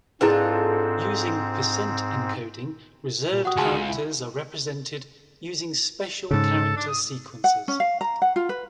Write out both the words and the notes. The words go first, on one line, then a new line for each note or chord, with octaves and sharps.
Using percent-encoding, reserved characters are represented using special character sequences.
G#2 C4 D4 E4 F4 G#4 A4 B4
A#2
F#4 F#5 G5 D#6
C#2 G#4 G#5 A5 C6
E4
G#2 C#3 A4
D4
D#6
F#5
C#4
F5
A#5
F#5
F4
B4